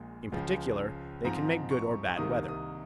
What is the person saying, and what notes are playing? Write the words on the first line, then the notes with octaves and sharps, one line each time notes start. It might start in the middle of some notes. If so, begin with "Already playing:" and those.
In particular they can make good or bad weather.
Already playing: A#1 A#2 G#3
C#2 C#3 F3
G#2 F3 C4 D#4 A#5
C#6
C2 C3 D#3 A#3 D#4 D#6
D#6